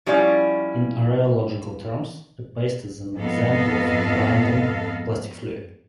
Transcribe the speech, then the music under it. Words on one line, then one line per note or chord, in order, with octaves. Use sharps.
In rheological terms, a paste is an example of a Bingham plastic fluid.
F3 G3 C#4 E4 D5
F2 G#2 B3 A4 D#5 F5